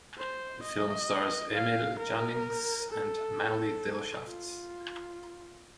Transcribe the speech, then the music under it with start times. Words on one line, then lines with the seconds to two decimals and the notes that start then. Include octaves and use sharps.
The film stars Emil Jannings and Maly Delschaft.
0.18 C5
0.63 D#5
1.53 F5
1.99 A#4
2.91 A4
4.26 F4